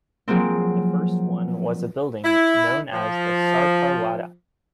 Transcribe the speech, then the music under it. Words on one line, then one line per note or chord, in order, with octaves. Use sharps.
The first one was a building known as the Sarkar Wada.
F3 F#3 G#3 A#3 C4
E4
F3